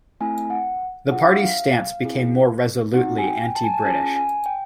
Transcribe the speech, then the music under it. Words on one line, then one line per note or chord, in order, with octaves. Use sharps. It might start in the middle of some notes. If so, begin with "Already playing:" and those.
The party's stance became more resolutely anti-British.
A3 C4 E4 G#5
F#5
D4 F4 G#4 F#5
F5
E5
F5
C4 E4 G#4
C4 D#4 F#4 F#5
G#5
G5
A5
G#5
A5
C#4 F4 G#4 G#5
G#5
G5